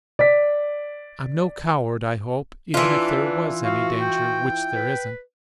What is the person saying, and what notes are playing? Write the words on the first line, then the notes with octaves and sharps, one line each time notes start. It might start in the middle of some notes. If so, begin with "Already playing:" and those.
"I'm no coward, I hope, even if there was any danger which there isn't."
D5 B6
E3 D4 F4 B4
F#4 F5
G5
B4